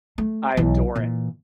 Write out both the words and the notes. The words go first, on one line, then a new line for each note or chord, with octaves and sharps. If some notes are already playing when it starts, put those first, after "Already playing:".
I adore it,
A3
B1 E3
A#2 E3